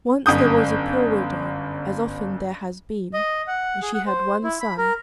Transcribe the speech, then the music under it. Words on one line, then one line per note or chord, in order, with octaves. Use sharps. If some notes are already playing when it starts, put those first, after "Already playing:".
Once there was a poor widow, as often there has been, and she had one son.
G1 F#2 D#6 G6
D#5
F#5
G#4
F#5
C5
E4
B5
A#4